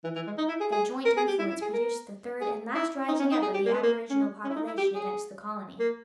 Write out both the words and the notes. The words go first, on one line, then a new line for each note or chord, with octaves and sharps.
Their joint influence produced the third and last rising up of the aboriginal population against the colony.
E3
E3
G#3
D#4
E4
G#4
G#4
A#4
G#4
G4
E4
E4
G#4
A#4
G#4
E4
D#4
C#4
D#4
G#4
G4
A#3
B3
A#3
C#4
C#4
E4
D#4
E4
G4
G#4
A#3